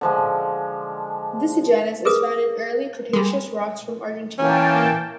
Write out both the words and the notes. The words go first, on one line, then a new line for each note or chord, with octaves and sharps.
This genus is found in Early Cretaceous rocks from Argentina.
D3 F3 G#3
G#4 A#4 B4 D#6
G3 G#3
E3 A#3 C#4 G5 A5